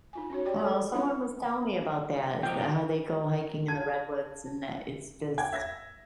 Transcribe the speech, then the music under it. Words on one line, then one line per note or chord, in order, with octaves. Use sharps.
Well, someone was telling me about that, is that how they go hiking in the Redwoods and that it's just
D#4 F4 G#5
C#4 D#4 F#4 C#5
G4 C#5 D5 G5
G#4 A4 C#5
D4 E4 F4 C#5 E5 F#5
C3 F3 D#4 G5
A5 G#6
F#5 G5 G#6
E5 G#6 A#6